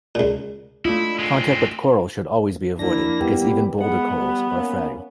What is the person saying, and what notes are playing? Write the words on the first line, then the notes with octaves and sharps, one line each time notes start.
Contact with coral should always be avoided, because even boulder corals are fragile.
C#2 A#2
A3 D4 E4 F4 D#5
G#3 C4
F2 A#3 D4 E4 A#6
G3 B3 G4
G#3 B3 F#5
G3
A#3 C#4